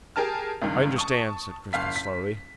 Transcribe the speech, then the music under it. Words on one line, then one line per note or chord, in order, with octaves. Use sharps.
"I understand," said Crispin slowly.
G4 G#4 A#4 A5 F6
C#2 G2 D#3
A5 C#6 D#6
F#1 F5 B6
B6